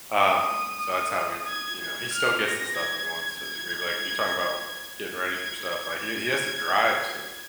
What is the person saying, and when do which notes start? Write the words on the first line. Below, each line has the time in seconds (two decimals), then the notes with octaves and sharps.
Um, so that's how we've, you know, he still gets the stuff he wants to a degree, but, like, you're talking about getting ready for stuff, like, he he has to drive soon.
0.19 D#6
1.48 G#6
1.81 G#6
2.14 F6
2.46 A#6
2.78 G#6
3.43 G#6
5.05 G#6
6.02 G#6